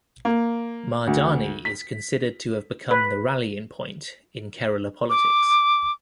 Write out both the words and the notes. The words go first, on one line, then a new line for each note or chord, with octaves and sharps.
Mahdani is considered to have become the rallying point in Kerala politics.
A#3
D2
B6
B4
D6